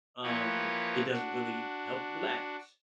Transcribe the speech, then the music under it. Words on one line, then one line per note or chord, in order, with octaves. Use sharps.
um, it doesn't really help you relax,
E3 F3 A#3 G4 B4 C#5
D4 F#4